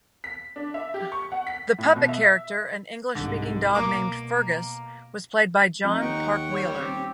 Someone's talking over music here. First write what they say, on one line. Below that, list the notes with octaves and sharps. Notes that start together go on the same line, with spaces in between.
The puppet-character, an English-speaking dog named Fergus, was played by Jon Park-Wheeler.
B6
D4
E5
G4
C#6
F#5
B6
A2
B2
E5
C2 G#2 D3
B2 A#3 D6
F2 D#4
D#2 F#5 G5 C#6
G3 C#5
D#1 C4 G4